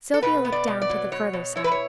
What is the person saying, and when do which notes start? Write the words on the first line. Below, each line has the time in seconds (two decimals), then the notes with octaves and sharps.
Sylvia looked down to the further side.
0.14 A4
0.22 B2 B4
0.45 B3
0.52 D5
0.67 B2
0.82 D5
0.89 F#3
1.12 B2 C#5
1.33 B2
1.56 E4 C#5
1.64 B4
1.71 C#5